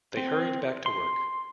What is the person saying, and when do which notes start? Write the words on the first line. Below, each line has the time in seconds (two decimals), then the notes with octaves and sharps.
They hurried back to work.
0.17 C4
0.86 C6